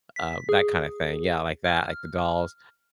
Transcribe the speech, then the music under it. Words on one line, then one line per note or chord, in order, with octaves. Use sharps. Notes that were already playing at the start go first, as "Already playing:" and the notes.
uh, that kinda thing. Yeah, like, that, like, the dolls,
B6
G#4
F6